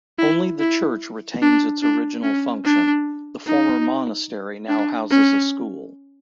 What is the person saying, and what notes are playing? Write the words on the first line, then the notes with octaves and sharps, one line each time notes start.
Only the church retains its original function; the former monastery now houses a school.
E4
E4
D4
D4
C#4
D4
D#4
D4
C#4